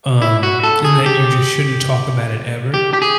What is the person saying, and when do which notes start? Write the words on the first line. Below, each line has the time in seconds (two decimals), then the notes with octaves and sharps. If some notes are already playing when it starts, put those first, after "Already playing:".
um, and that you just shouldn't talk about it ever,
0.22 E4
0.43 F#4
0.63 A4
0.85 G#4
1.06 G4
2.74 G4
2.93 G4
3.02 G#4